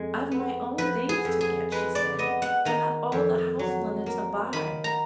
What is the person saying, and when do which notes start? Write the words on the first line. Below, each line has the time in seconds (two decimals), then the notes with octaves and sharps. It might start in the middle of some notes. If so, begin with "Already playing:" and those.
'I've my own things to get,' she said, 'and I've all the house-linen to buy.'
Already playing: F2 G#3
0.31 B3
0.78 F3 B4
1.09 G#4
1.25 F2
1.41 G#4
1.72 G#3 B4
1.95 D5
2.19 B3 D#5
2.42 F#5
2.65 D#3 A#5
3.12 F2
3.59 F#3
4.06 A#3
4.53 D#3 B5
4.84 A#5